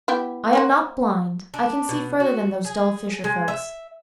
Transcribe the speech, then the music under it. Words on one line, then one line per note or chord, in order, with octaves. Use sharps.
I am not blind--I can see further than those dull fisher folks.
B3 E4 G4
A#3 C4 F#4
D4
B2
F#4
G#4
G#3
E5